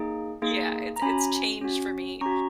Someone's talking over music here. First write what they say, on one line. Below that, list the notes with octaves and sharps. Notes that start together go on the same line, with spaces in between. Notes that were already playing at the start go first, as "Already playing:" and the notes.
Yeah, it's it's changed for me
Already playing: A#3 D#4 G#4
A#3 D#4 G#4
A#5
C#4 F#4 G#5 B5
C#4 F#4
C#4 F#4 A#5 C#6